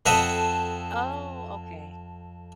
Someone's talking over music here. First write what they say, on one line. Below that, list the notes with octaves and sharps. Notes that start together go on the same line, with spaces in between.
Oh, okay.
F2 C4 A4 D#5 E5 F#5